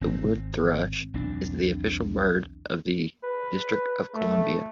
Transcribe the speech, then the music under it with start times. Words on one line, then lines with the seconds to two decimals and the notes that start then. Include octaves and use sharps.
The wood thrush is the official bird of the District of Columbia.
0.01 G#1 C4
1.14 B1 E2 C4 D4
3.24 B4
4.14 A3